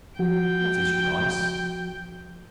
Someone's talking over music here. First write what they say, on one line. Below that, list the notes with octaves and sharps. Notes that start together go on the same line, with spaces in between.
What is Rice?
F3 F#4 G5